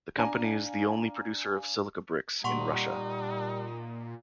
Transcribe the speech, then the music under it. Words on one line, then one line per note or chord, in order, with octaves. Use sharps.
The company is the only producer of silica bricks in Russia.
D4 F5 G#5 A#5
A#2 G3 D#4 F#5 C6 C#6